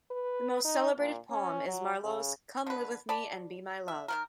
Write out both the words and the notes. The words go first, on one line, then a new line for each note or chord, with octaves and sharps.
The most celebrated poem is Marlowe's 'Come live with me and be my love'.
B4
D#4
A#2
C#4
F#3
C#3
D3 B4
D5 A5 B5
E5
D#3 F3 A#4